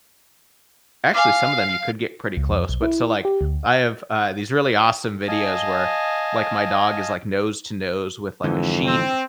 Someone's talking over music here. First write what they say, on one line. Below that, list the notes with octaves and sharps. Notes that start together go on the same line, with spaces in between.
actually, some of them, you could get pretty close. But so, like, I have, uh, these really awesome videos where, like, my dog is, like, nose to nose with, like, a sheep,
F5 G#5 D6
C#2
F2
B1
E4
G4
D2
D#5 F5 G#5 A5
F2 G#2 D3 E3
C4